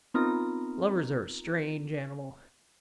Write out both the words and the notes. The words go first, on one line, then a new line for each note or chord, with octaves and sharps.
Lovers are a strange animal.
B3 C4 D#4 F4 A#4 A#5